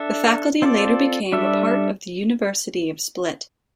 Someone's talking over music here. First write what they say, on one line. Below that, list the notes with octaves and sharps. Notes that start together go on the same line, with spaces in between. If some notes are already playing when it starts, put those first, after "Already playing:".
The faculty later became a part of the University of Split.
Already playing: D4 A4 E5
C4 F4 A4 D5
G3 D4 A4 E5